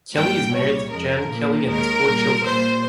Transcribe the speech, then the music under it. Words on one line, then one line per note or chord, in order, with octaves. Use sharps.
Kelly is married to Jan Kelly and has four children.
G2 G3 A#3 G5
C2 A#2 G3 C#5
F2 C#3 G#3 A#4
A#2 F3 A#3
D#2 D#3 G#3 A#4
A#2 G3 A#3
A#2 G3 A#3 C5